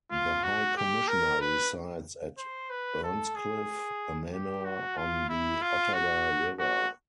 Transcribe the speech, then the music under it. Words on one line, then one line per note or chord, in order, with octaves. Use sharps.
The High Commissioner resides at Earnscliffe, a manor on the Ottawa River.
F4
F#4
G4
A#4
B4
C5
B4
A4
G#4
G4
F#4
F4
E4
F4
F#4
F#4